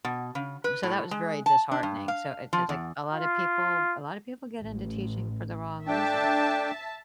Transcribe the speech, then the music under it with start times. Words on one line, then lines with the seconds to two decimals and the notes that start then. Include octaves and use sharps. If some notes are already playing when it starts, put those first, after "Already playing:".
so that was very disheartening. So it it like a lot of people a lot of people get into teaching for the wrong reason.
0.04 B2
0.35 C#3
0.64 B4
0.83 A2
1.11 G#3
1.46 A5
1.71 D4
1.83 G2
2.08 F5
2.53 F3
2.69 E2
3.14 F4
4.60 A1
5.87 A3 D4 E5 G5 A5